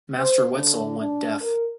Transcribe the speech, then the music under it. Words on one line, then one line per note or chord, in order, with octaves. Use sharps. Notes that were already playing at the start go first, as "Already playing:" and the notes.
Master Wetzel went deaf.
C5
D3
D4
A#4